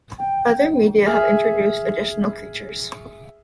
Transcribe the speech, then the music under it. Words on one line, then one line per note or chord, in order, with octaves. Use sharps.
Other media have introduced additional creatures.
G5
G#4 E5 F6